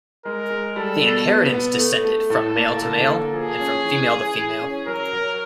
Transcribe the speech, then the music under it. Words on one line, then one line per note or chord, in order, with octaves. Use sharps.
The inheritance descended from male to male and from female to female.
G#3 A#4
G#3
G3 A4
B2
B3
B3
A3
A3
A2 A4
A#3
D3 A4
A#3
F3 G#4
C#4
E3
E3
E3
C#4
F#3 A#4
F#3